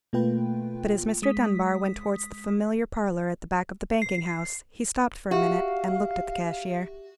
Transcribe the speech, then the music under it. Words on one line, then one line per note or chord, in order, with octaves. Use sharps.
But as Mr. Dunbar went towards the familiar parlour at the back of the banking-house, he stopped for a minute, and looked at the cashier.
B2 A3 A#3 F4 B4 G5
G#3 D#6 B6
C7
F#4 G4 E5 F5